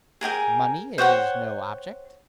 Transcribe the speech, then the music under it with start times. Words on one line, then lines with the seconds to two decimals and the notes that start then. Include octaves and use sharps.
"Money is no object?"
0.21 G#4 A#4 G5 G#5
0.98 C5 C#5 F#5 G5